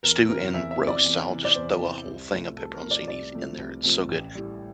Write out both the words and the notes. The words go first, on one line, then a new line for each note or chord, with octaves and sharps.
stew and roast. I'll just throw a whole thing of peperoncinis in there. It's so good.
E2 A#4
C3 E3 A#4
E2 E5
E5
C3 E3
D5
E2
C3 E3
D5
E2 C5
C3 E3
C2
C3 F3 A3
C2 A4
A#4
C3 F3 A3
D5
C2 D5
C3 F3 A3
C2
C3 F3 A3
A1
A2 G3